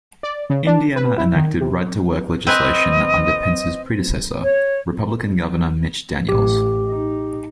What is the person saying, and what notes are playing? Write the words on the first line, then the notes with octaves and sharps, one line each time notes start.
Indiana enacted right-to-work legislation under Pence's predecessor, Republican governor Mitch Daniels.
D5
C#3
D4
B4
E4
D#3
C3
C4 B4 D#5 G#5
C#5
A1 G4
D#4